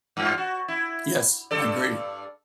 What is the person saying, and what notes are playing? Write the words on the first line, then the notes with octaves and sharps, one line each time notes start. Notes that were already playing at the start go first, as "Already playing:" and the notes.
Yes, I agree.
G2 F4
F#4
E4
G2 A4 D5